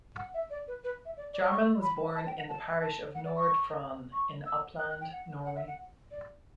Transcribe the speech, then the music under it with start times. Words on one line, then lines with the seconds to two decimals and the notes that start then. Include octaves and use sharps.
Jarmann was born in the parish of Nord-Fron in Oppland, Norway.
0.17 F#5
0.34 E5
0.50 D5
0.67 B4
0.84 B4
1.05 E5
1.17 D5
1.33 D5
1.50 C#6
1.82 B5
2.15 A5
2.26 G5
2.37 F#5
2.49 A5
2.81 A5
3.14 F#5
3.24 D5
3.36 C#6
4.12 C#6
4.46 E6
4.79 F#6
4.90 F#6
5.01 G5
5.12 F#5
5.45 F#5
5.55 E5
5.67 F#5
6.11 D5